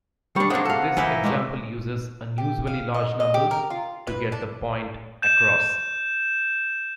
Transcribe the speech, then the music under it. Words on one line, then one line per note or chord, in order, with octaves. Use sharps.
This example uses unusually large numbers to get the point across.
G3 D4 C#6
C3 G#3 A#3 D4 F#5
A4 F5 F#5
E3 A#3 D#4 E4
B2 D3 G3 G#3
G4
F5
D#5
D#5
G4
A#4
F4
B4
D4
G6 E7